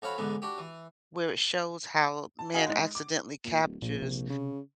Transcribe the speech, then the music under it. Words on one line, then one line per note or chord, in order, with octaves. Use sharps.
where it shows how man accidentally captures
F2 F#4 C#5 F5 B5
E2 G#2 D3 B3
D4 F#4 G4
E3
A5
F#4 G#4 D#5 F5 F#5 G#5
G#3 D#4
D6
A#2
D1
A#1 A#2
C3
C#3